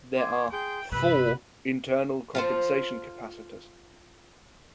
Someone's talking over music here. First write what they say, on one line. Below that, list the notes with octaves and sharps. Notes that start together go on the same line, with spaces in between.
There are "four" internal compensation capacitors.
C6 D6 G#6
G#4 G5 C6
G1 C3 B4 B5 E6
F4 A4 C5